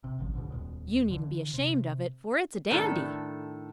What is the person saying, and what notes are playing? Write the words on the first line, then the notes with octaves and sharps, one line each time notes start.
You needn't be ashamed of it, for it's a dandy.
C3
G#1 C#2 F3
C#2 G#2 B2 D3
D#1 C#2 B2
D3 E3
C3
A2 D#3 D4 A4